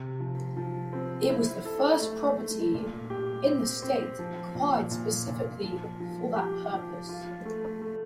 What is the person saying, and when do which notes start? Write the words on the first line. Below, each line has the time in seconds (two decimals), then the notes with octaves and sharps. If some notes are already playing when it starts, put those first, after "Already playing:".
It was the first property in the state acquired specifically for that purpose.
Already playing: C3
0.20 F3
0.57 F3
0.93 C4
1.29 E4
1.65 A4
2.01 A3
2.38 A3
2.74 A#2
3.10 G4
3.47 C4
3.82 C4
4.19 F3
4.55 A#2
4.91 A#2
5.28 A#2
5.64 F3
6.00 F3
6.36 G4
6.73 F3
7.09 F4
7.45 A3
7.82 A3